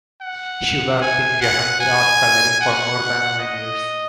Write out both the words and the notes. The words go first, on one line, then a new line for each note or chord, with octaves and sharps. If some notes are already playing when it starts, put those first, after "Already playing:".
She worked in Jahangir Art Gallery for more than nine years.
F#5
G#5
F#5
G#5
F#5
D#5